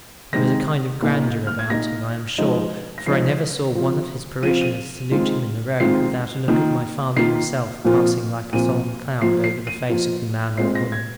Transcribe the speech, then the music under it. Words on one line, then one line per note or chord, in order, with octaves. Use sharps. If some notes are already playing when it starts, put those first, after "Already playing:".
There was a kind of grandeur about him, I am sure; for I never saw one of his parishioners salute him in the road, without a look of my father himself passing like a solemn cloud over the face of the man or woman.
C3 D#3 G#3 A#6
A#2 A#3 D#4
F6
G#6
A#2 A#3 D#4 A#6
F3 G#3 D#4
A#6
F3 G#3 D#4 C7
F3 C4 F4
F3 C4 F4 D#7
D#7
D#3 G#3 C4 F4
D#3 G#3 C4 F4 C7
D#3 A#3 F4
D#3 A#3 F4 C7
A#2 F3 C4 F4
A#2 F3 C4 F4 D#7
F3 A#3 F4 C7
C7
D#7
F3 A#3 F4
A#2 G#3 C4 F4 C7
A#6
G#6